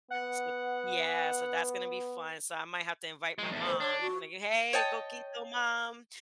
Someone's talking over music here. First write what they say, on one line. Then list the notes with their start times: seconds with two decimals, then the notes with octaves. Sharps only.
So yeah, so that's gonna be fun. So, I might have to invite my mom, like, "Hey, coquito, mom."
0.10 B3 F#5
3.38 F#3 G#3
3.51 E2 A2
3.66 C5
3.80 D4 C#5
4.01 F#4
4.73 C#5 D#5 G5 A5